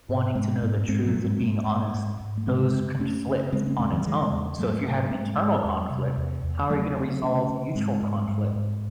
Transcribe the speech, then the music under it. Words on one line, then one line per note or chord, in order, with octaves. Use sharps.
wanting to know the truth and being honest, those conflict on its own. So, if you're having internal conflict, how are you gonna resolve mutual conflict?
G#2
G#2 G#3 C4
G#2
G#2 G#3 C4
F#3 A3
G#2
G#3 C4
G#2
G#2
G#2
G#2
A3
C#3 G#3 C4
F#2
F#2 A3 C#4
C#3
C#3 G#3 C4
A3 C#4
E2 G#3 C4
D#3 F#3
C#3 E3 G#3
E2
G#2 F#3 A3
G#2
G#2 G#3 C4
G#2
E2
C3
E2
E2
C#3 F#3 A3
C#3
C#3 A3 C#4
C#3
G#2 G#3 C4
G#2
G#2
G#2